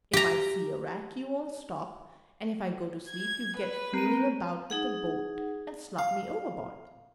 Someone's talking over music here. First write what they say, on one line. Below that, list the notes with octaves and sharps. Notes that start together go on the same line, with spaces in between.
If I see a rat, you won't stop; and if I go to sleep, you get fooling about with the boat, and slop me overboard.
G4 A#5
G#6
B4
C4 A#4 D#7
D#4 G#4 F#5
F5